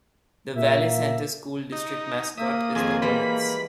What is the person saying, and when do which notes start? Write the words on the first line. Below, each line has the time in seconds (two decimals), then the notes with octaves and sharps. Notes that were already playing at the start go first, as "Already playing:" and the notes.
The Valley Center school district mascot is the Hornets.
0.55 A#2 A#3 E5
1.72 D#4
2.37 A#3 E5 D#6
2.75 F2 D#3 F3 G#4
3.02 E3 G3 G#3 B5